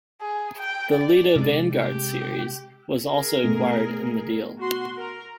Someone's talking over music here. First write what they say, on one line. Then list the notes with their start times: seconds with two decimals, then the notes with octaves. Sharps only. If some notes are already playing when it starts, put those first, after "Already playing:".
The Lledo Vanguards series was also acquired in the deal.
0.21 G#4
0.59 G5
0.95 D5
1.35 C3 G#3
1.74 G4
3.08 G#4 A#4
3.43 B2 A3
4.60 F#4 C6
4.98 A#4